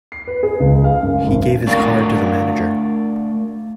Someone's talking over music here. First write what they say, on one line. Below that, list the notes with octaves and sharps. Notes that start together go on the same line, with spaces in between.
He gave his card to the manager.
C7
B4
G#4
C#2
F5
F#2
G#1
A3 D4 F#4 A#4 D5 F5